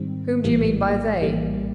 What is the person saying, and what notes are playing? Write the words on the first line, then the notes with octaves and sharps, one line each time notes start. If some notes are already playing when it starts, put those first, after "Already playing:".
"Whom do you mean by they?"
Already playing: G#2 D#3 G3 C4
A#1 A2 E3 G3 A#3
A#1 A2 E3 G3 A#3